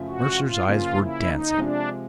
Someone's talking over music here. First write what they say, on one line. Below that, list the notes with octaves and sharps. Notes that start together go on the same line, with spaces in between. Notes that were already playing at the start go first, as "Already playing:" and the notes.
Mercer's eyes were dancing.
Already playing: F#2 C#3 F3 A3
F#4
F4
C#3 F3 A#3 F4
E4
D#4
C3 F3 G#3 D4